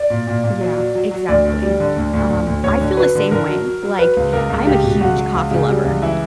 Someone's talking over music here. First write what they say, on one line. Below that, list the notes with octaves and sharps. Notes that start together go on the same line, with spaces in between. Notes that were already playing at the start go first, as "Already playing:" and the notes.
Yeah. Exactly. Um, I feel the same way. Like, I'm a huge coffee lover,
Already playing: D5
A#2
A#2
A#2
F#3
F#3
F#3
F#3
D2 D5
D2
G3
D3
D2
D2
D2
D2
D2 C#5
D3
F#3 B4
D3
D3 A#4
F#3
F#3
F#3
F#3 B4
C#2
C#2 A#4
C#2
C#2 G4
B2
C#2 F#4
F#3
C#2
C#3
G3
C#2
E3 E4